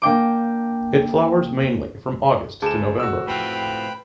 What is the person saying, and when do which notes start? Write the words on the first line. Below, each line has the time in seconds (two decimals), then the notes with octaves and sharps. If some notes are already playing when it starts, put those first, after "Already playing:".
It flowers mainly from August to November.
0.02 A#3 D4 G5 D6
2.62 D2 G#4 A5 D6 E7
3.00 F#4 E6
3.27 A2 C4 F4 B4 G5 B5